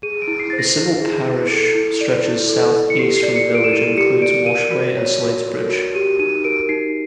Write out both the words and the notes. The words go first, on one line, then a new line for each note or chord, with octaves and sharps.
The civil parish stretches southeast from the village and includes Washaway and Sladesbridge.
G#4 D#7
D7
E4
C7
A6
C5
A#6
E4
G#4
E4
A4
E4
D5
E4
A4
E4
C#7
G4 C7
C7
D5
C#7
A#4
D7
E7
E4 D#7
G4 C#7
D5 D7
A#4 D#7
F#4
C#5
F#4
A#4
F#4
G4 D#7
D#4 D#7
A#4 D7
D#4 C7